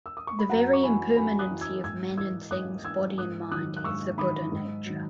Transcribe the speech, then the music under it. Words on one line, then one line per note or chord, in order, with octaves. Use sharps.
The very impermanency of men and things, body and mind, is the Buddha nature.
E6
D#6
C#6
B5
F#2 F#5 A#5
C#6
E3 G#5 B5
F#2 G#5 B5
D#6 F#6
E3
E6 G#6
G#2 E6 G#6
E3 E6 G#6
G#2 D#6 F#6
E3 E6 G#6
G#2 D#6 F#6
D#3 F#3 D#6 F#6
F#6
G#2 C#6 E6
D#3 F#3 B5 D#6
G#2
D#3 F#3